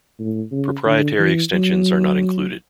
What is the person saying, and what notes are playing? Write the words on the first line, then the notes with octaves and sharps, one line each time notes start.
Proprietary extensions are not included.
A2
C#3
D3
E3
F#3